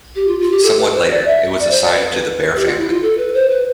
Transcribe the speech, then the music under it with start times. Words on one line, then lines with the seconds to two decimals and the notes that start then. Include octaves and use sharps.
Somewhat later, it was assigned to the bear family.
0.16 G4
0.28 F4
0.39 F4
0.52 G4
0.63 A4
0.79 B4
0.95 C5
1.11 D5
1.27 E5
1.59 D5
1.71 C5
1.82 D5
1.95 B4
2.55 G4
2.66 F4
2.79 E4
2.90 F4
3.03 A4
3.18 B4
3.34 C5
3.50 B4